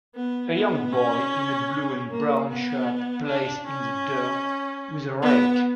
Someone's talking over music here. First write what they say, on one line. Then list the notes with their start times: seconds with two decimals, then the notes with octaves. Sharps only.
A young boy in a blue and brown shirt plays in the dirt with a rake.
0.15 B3
0.54 B3
0.92 C#4
2.10 A#3
2.49 B3
3.27 D4
3.66 C#4
5.22 B3